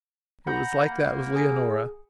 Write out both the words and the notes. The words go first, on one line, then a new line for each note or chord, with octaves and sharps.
It was like that with Leonora.
F#5 A#5 B5 G6
A#3
G#4